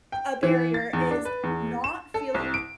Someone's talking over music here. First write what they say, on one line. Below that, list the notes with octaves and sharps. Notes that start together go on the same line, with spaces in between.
a barrier is not feeling
G5
E3
A6
E2
D4
B4
E2
E7
A4
C2
D7